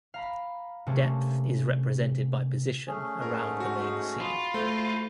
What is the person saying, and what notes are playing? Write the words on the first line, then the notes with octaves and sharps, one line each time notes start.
Depth is represented by position around the main scene.
F5 A#5 B5
C3 A3 A#3 C#4 A4
A3 C#4 G#4
G#2 A#4
F#4
F4 B5 C6
G#2 A3 F#4 C5